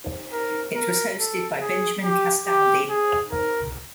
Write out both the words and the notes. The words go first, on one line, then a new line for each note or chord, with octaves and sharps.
It was hosted by Benjamin Castaldi.
A#4
A#4
A4
G#4
G4
G4
G#4
A#4